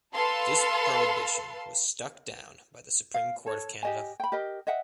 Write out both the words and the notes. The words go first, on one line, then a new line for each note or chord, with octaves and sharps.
This prohibition was stuck down by the Supreme Court of Canada.
A4 B4 F5 A5 C6
F5
A4 C#5
G4 D#5 G#5
G5 B5
G4 A#4 D#5
D#5 E5 F#5 G5